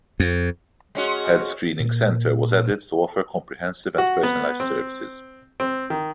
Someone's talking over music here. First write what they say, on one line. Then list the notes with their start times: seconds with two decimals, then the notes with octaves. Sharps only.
Health screening centre was added to offer comprehensive and personalized services.
0.20 F2
0.95 G#3 C#4 F#4
1.80 A#2
3.98 F#4
4.23 B3
4.60 C4
5.60 C4
5.90 D#3